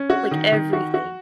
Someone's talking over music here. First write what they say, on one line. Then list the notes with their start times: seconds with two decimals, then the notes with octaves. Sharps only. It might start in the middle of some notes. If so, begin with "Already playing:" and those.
Like, everything.
Already playing: C#4
0.10 F#4
0.31 D#3
0.52 D#3
0.73 F#4
0.94 F#4